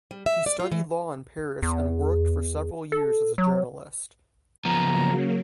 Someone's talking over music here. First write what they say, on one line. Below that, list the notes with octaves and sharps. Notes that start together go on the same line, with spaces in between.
He studied law in Paris and worked for several years as a journalist.
G3
E5
D5
F4
E3
E2
A4
F#3
C#3 F3 F#3 A#3 B3 A#5